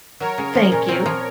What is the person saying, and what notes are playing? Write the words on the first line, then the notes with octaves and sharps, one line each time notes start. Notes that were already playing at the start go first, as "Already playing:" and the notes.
Oh, thank you.
F#3 A#4 C#5
C#3
F3
A#2
C4
F3